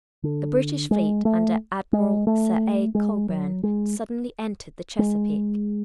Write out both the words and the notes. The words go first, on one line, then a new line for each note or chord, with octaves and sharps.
The British fleet under Admiral Sir A. Cockburn suddenly entered the Chesapeake.
D3
G#3
A3
G#3
A3
G#3
F#3
G#3
G#3